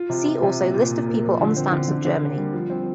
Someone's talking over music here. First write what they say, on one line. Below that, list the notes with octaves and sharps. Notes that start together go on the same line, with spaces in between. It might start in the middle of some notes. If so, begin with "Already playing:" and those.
See also list of people on stamps of Germany.
Already playing: F4
C3
F4
C3
A#2
A#2
A#2
A#3
F3
D3
C4
D3
D3
D3
A#3
G3
F3
C4